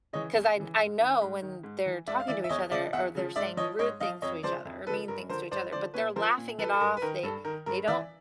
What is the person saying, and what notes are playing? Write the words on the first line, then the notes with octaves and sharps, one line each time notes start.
'cause I I know when they're talking to each other or they're saying rude things to each other or mean things to each other, but they're laughing it off, they they don't
C#3 E3 C#5 D#5
E2
C#3 E3
G#2
D#3
G#2
D#3
G#2
E3
G#2 D5 E5
F5
E3 D5 E5
E5
E2 C#5 D#5
C#3 F3 D5 E5
E2 E5 F#5
C#3 F3
G#2 D5 E5
F3 C#5 D#5
G#2 C#5 D#5
F3 D#5 F5
F2 C#5 D#5
C#3 F3 C5 D5
F2
C#3 F3 A4 B4
G2 A#4
D3 F3 A#4 C5
G2 C5 D5
D3 F3 C5 D5
A#2 B4 C#5
F3 A#4 C5
A#2
F3 A4 B4
A4
G2 A#4
B4
D#3 A#4
G2 A4
D#3 A#4
G2 A#4
E3 D5 E5